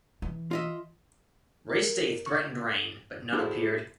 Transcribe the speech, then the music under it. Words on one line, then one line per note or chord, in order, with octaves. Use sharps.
Race day threatened rain, but none appeared.
E3
F4 D#5 E5
A#4
C#6
D4 E4 F#4 G#4 A4 C5